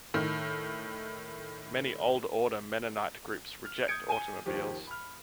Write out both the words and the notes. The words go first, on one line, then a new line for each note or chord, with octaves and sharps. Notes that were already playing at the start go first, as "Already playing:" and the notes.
Many Old Order Mennonite groups reject automobiles.
A2 D#3
F6
D#6 G6 G#6 C#7 D7
G#5 D#7 G7
D#2 F3 G4
B5 F6